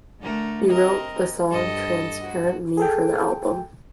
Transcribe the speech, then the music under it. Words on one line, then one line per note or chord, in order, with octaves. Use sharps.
He wrote the song Transparent Me for the album.
D3 A3 A#4
C4 A#4 D#5
G2 A4 D#5
F#4
G#4 A4 G5